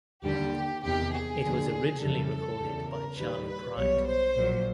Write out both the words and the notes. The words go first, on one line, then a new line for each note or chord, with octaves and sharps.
It was originally recorded by Charley Pride.
D#2 D3 G3 G4
E2 C3 D#3 G4
G#4
D#2 D3 F3
F2 C#3 E3 G3 A4
E2 C#3 E3 G3
A#4
D#2 D#3 G3 B4
B4
B1 B2 G3 C#5
C5
A#1 A#2 F#3